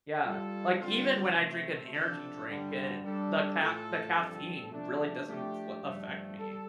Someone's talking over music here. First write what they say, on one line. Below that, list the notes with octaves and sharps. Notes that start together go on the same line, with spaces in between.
Yeah. Like, even when I drink an energy drink, it the ca the caffeine really doesn't li affect me.
G3 F4 A4
D3 G3 C4 F4
C3 A3 C4
C3 F3 D4 A4
G2 D3 G3
G3 D4 A4
A2 A3 F4 A4
G2 F3 C4 A4
C3 F3 A3 D4
F3 A3 D4 G4
G2 F3 A3
G3 A4